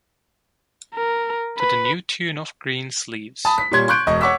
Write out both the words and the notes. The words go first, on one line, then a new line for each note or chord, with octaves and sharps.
To the new tune of Green Sleeves.
A#4
B4
A5 B5 D#6
B6
A#2 G3 C#5 C6 G#6
C6 C#6 F#6 G6 D7
E1 D#5 C#6
C#5 F#5 C#6 D6 E6 B6